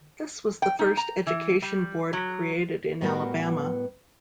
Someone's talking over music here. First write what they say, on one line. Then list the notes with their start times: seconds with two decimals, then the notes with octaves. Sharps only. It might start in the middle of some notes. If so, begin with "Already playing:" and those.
This was the first education board created in Alabama.
0.62 G5
0.79 D#4
0.97 A#5
1.27 E3
1.62 G3
2.13 F#3
3.01 A2 G3 B3 F#4 A#4 B4